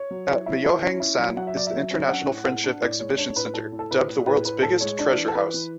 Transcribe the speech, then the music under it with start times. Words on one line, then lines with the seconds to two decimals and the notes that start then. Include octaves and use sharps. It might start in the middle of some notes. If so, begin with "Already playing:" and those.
At Myohyang-san is the International Friendship Exhibition centre, dubbed the world's biggest treasure-house.
Already playing: C#5
0.11 F#3
0.29 E4
0.46 E4
0.64 E4
0.82 C#4
1.00 E4
1.19 F#3
1.37 F#3 F#5
1.47 E5
1.55 F#3 D5
1.67 E5
1.73 F#3
1.91 C#4
2.09 D4 F#5
2.28 A2
2.45 A2 F#5
2.64 D4
2.81 A2 D5
2.99 G#3 C#5
3.18 D4 C#5
3.36 A2 B4
3.54 A2 A4
3.72 A2
3.79 A4
3.91 A2 B4
4.09 A2
4.27 A2 B4
4.45 A2 B4
4.62 A2 A4
4.81 G#3 C#5
4.99 D4 D5
5.17 E3
5.28 A4
5.35 E3 B4
5.54 E3